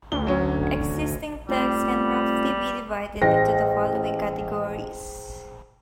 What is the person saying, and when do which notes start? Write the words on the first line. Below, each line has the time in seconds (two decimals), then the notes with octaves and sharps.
Existing texts can roughly be divided into the following categories.
0.12 D2 G7
0.27 F#3 C#4
1.49 G3 A3 C4 F4
3.22 A1 G#4 C5 G5 A#6